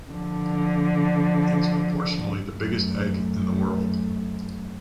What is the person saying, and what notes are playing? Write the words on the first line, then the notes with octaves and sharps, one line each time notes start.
It’s proportionally the biggest egg in the world.
D3 F3
F#2 A3